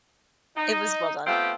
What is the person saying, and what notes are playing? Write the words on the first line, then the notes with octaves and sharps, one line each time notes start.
it was well done.
D#4
A3 B3 C4 F4 G4